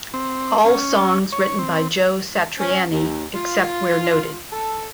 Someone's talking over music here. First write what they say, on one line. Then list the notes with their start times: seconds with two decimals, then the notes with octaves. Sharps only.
All songs written by Joe Satriani, except where noted.
0.14 C4
0.65 C#4
1.32 C#5
1.59 C4
2.59 C#4
2.91 D#2
3.34 F4
4.52 A4